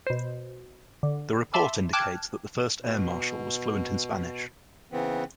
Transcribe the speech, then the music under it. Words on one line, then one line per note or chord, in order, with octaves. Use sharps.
The report indicates that the first air marshal was fluent in Spanish.
B2 C5
D3
E5 A5 B5 C6 D6 E6
G5 A5 D6 F6 F#6 G#6
B2
C#3 E3 B3 C4